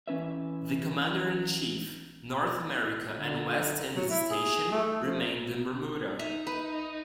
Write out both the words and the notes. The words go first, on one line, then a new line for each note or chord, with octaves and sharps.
The Commander-in-Chief, North America and West Indies Station, remained in Bermuda.
E3 C#4 B4 E5
D3
F#3
E4
G#4
A3
F3
D#4 E5
B4